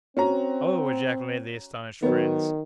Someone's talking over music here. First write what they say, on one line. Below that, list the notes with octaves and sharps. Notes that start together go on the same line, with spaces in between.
"Oh!" ejaculated the astonished friends.
C4 C#4 F#4 A#5
D#3 F#3 B3